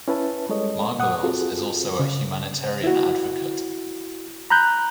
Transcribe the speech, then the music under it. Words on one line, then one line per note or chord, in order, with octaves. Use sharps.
Margolyes is also a humanitarian advocate.
C#4 E4 B4 E5 A5
G3 G#3 A4 C#5 D#5
A#2 F#5 D#6
C4 F4 F#4 G#4 A4
C#3
E4 F#4
A#5 B5 F#6 G6